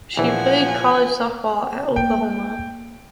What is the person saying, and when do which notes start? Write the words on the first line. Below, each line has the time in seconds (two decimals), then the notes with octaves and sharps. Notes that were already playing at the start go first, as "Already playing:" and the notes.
She played college softball at Oklahoma.
0.17 A#1 E3 F3 F#5 G#5
1.96 A#3 G5